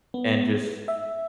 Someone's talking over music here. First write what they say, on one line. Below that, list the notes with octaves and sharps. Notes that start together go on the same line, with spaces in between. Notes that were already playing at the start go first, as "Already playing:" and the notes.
and just
B3
E5